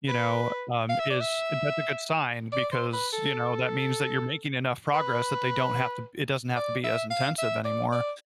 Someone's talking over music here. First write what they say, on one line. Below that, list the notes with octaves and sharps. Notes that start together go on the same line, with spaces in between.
you know, um, is that's a good sign because, you know, that means that you're making enough progress that they don't have to it doesn't have to be as intensive anymore
B4
F5
E5
D5
E5
D5
C5
B4
A4
B4
D5
E5
F5
E5
D5
D5